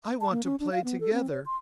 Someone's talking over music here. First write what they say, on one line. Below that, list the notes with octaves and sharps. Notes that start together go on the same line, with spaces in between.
I want to play together.
A5
A#3
C#4
D4
F5
B3
A4
C4
C#5
C6